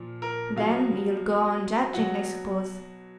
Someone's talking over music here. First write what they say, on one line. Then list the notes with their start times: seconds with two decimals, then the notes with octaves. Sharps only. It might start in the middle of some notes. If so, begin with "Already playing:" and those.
"Then you'll go on judging, I suppose."
Already playing: A#2 F3
0.22 A#4
0.56 B2 F#3 F5
1.94 B2 F#3 F#5